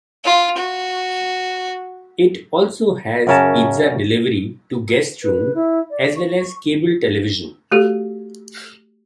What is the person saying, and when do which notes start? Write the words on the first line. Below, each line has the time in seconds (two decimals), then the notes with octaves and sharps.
It also has pizza delivery to guests' rooms as well as cable television.
0.24 F4
0.57 F#4
3.27 F#2 C#3 C#4 A#4 A5
5.23 B4
5.55 E4
5.90 D5
6.16 C#6
7.72 A3 F#4 G4 A4